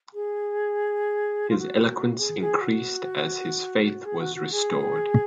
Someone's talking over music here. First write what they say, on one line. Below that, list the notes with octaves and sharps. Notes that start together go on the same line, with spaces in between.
His eloquence increased as his faith was restored.
G#4
F4
F#4
G#4
G#4
F#4
G#4
F#4
F#4
G#4